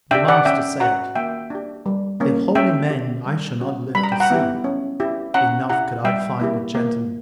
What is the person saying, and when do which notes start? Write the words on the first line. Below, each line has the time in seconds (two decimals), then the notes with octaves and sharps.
The Master said, A holy man I shall not live to see; enough could I find a gentleman!
0.11 D4 G4 E5 G5
0.28 D5 F#5
0.45 C#4 E5 G5
0.80 F#4 F#5 A#5
1.15 A#3 E5 G5
1.50 D4 G4
1.86 G3
2.20 A#3 C#4
2.55 C#4 E5 G5
2.90 G4
3.26 G3
3.60 C#4 F#4
3.95 G3 B5
4.04 A#5
4.12 G5
4.20 F#5 A#5
4.30 B3 E4 G4
4.64 C#4
5.00 E4 G4
5.34 C#4 F#5 A#5
5.69 E4 G4 F#5 A#5
6.04 G3 E5 G5
6.40 A#3 E4 G4
6.75 A#3